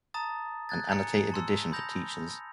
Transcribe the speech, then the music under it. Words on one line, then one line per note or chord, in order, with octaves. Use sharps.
An annotated edition for teachers.
A5 A#5 D#6 A6
F#6 G#6 A6
G#5 A#5 C#7
A5 C6 E6
B5 D#6 G6 A#6 F7